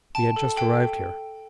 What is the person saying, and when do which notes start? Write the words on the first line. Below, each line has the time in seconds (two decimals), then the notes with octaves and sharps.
We had just arrived here.
0.15 G5 A5
0.36 A4
0.56 A4 G5